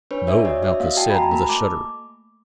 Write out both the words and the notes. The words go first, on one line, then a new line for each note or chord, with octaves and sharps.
"No," Malchus said with a shudder.
D4 B4 C#5
D4 D5 E5
F#4 C#5 D#5
F#4 D5 E5
A#3 D#5 F5
F#4 G5 A5
B5
F#4 G#5 A#5
A#3 A5 B5
A3 D6